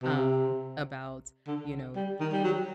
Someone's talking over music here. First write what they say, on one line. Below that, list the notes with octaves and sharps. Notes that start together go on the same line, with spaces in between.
Um, about, you know,
C3
D3
G3
D#3
G3
F#3